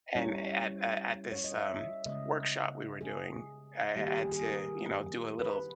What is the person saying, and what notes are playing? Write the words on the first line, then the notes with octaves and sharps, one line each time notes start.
and at at at this, um, workshop we were doing, I had to, you know, do a little,
G3 C#4 E4 C#5
C#5
D#5
E5
C#3 G#3 B3 D#5
G#4
D#3 G3 A#3 G4
G4
G#4
G#4
A#4
B4